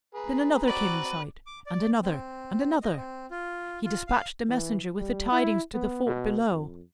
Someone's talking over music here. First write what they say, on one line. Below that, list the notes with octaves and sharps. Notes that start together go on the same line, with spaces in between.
Then another came in sight, and another, and another. He despatched a messenger with the tidings to the fort below.
G#4 B4 A#5
C4 F#4 B4 D5
D6
D5
C4
D#5
C4
F4
F4
F5
E3
G3
E4
B3
B2
F2